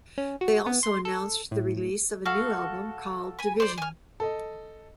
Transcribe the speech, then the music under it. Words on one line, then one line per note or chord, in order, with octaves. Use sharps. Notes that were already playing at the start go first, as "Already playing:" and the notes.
They also announced the release of a new album called "Division".
C#4
F#4
B3
C6
A4
A2
F#4 A4 F5
G#5 B5
C5 D5
G#5 F6
A4 D#5